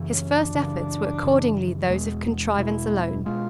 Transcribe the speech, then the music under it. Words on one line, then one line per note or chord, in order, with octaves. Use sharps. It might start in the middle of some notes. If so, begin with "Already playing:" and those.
His first efforts were accordingly those of contrivance alone.
Already playing: F#2 C#3 E3
C#4
D4
F#2 C#3 E3
F#2 C#3 E3
E2 B2 G#3
E2 B2 G#3 E4
B2 G#3 F4